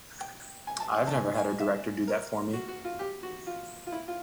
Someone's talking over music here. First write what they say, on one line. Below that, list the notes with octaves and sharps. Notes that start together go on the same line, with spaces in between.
I've never had a director do that for me.
G5
G#5
A5
G#5
A5
G#5
G#5
E5
A#4
F#4
F#4
F4
G4
F#4
F4
F4
E4
F4